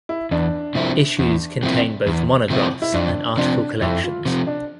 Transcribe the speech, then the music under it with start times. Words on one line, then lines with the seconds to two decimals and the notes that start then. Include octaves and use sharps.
Issues contain both monographs and article collections.
0.09 E4
0.31 E2 D4
0.75 C3 F3 C4 E4
1.19 E2
1.63 C3 F3 C4 E4
2.06 E2
2.50 C3 F3 C4 E4
2.82 E4
2.94 F2 D4
3.38 C3 F3 D4
3.82 F2 E4
4.04 F4
4.26 C3 F3
4.47 D4